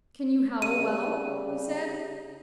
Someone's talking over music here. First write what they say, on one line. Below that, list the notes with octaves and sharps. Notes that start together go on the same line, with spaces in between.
'Can you howl well?' he said.
C#3 G3 D#7